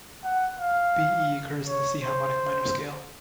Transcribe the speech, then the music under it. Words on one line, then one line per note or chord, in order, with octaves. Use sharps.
B-E occurs in the C harmonic minor scale.
F#5
F5
C#5
C5